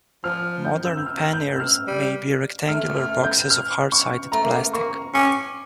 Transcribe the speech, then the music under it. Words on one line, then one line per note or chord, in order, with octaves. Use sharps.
Modern panniers may be rectangular boxes of hard-sided plastic.
F3 F6
G6
E6
G6
F6
G6
E6
F6
G3
A3 F6
F6
G6
F6
C#6
A3 A#5
A#3
A3
A#3 C#6
C#4 D6